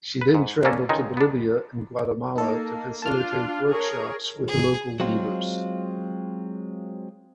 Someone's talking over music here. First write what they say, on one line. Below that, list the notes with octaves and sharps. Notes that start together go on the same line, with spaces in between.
She then traveled to Bolivia and Guatemala to facilitate workshops with local weavers.
B4
G#2
D3 A#3 C#4 D4 A4
C#2 D#3 G#3 D#4
B3 D4
A#3 D#4 A4
D4 F4 A5 F6
G#4 A#4 C#5
G#4
F#3 G#3 C4 F4